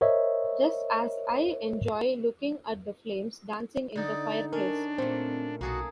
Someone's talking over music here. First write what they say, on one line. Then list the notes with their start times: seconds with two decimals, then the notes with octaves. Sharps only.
Just as I enjoy looking at the flames dancing in the fireplace.
0.01 A#4 C5 C#5 D#5 E5
3.96 D3 D#4 D5
4.53 C#4 D4 A#4
4.98 A#2 A3 C4
5.61 B1 A#3 F#4 G#4 A4